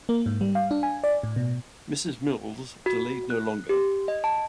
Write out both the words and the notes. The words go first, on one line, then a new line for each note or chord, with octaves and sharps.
Mrs. Mills delayed no longer.
A#3
G#2
G3
F5
D4
G#5
D5
A2
B2
F#4
F#6
G4
D#5
A5